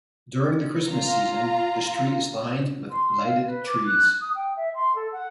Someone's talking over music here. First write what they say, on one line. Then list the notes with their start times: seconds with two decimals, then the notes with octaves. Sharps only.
During the Christmas season, the street is lined with lighted trees.
0.90 F4 A#5
2.91 C6
3.23 F5
3.46 B4
3.66 D6
3.86 F#6
4.21 D#6
4.35 G5
4.57 E5
4.75 C6
4.95 A4
5.12 F#5